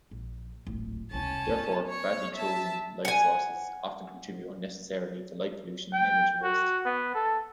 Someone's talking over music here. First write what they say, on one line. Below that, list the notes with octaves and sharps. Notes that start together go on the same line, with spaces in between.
Therefore, badly chosen light sources often contribute unnecessarily to light pollution and energy waste.
A#1
D1 G#1
E1 C2 C#4 A5
B3
C#5 C#6
E5 A5
F#5 G#5
G5
F#4
B3
A4